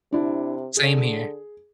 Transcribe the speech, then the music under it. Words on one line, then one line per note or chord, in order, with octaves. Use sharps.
Same here.
C3 D4 E4
D3 G#4